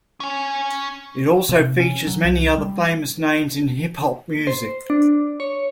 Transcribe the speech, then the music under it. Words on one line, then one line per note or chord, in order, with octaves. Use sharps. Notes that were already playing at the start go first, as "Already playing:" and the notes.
It also features many other famous names in hip hop music.
C#4 G#5
C3
C#4
F#3
C2
G3
C5
D4
C#5